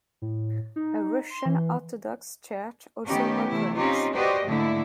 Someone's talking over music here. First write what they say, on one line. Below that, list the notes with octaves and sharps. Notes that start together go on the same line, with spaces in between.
A Russian Orthodox church also operates.
A2
D#4
C6
E3
D#3 A3 B3 C#4 D#4 G4
C3 E3 A3 E4
C4 C#4 D#4 F4 G4
F#4 G4 B4 C5 D5 D#5
G#2 D3 A3 A#3 E4